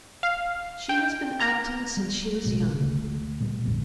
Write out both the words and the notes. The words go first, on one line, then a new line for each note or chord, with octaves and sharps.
She has been acting since she was young.
F5
G5
A#5
G3
A1 B2 G#3
D2 A3
A#2 G3 B3
A#1 F2 G#2 D3